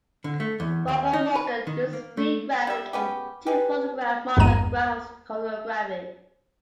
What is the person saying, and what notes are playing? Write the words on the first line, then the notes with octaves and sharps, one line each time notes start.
Barbara Morgan used a Speed Graphic to photograph Martha Graham's choreography.
D3
A3
E2
D#2
D#4
B4
D#3
A#3
A3
G3 E5
B3 C#4 G4
G4 G#4 B4
G#1 E2 G2 G#3 A#5 D#7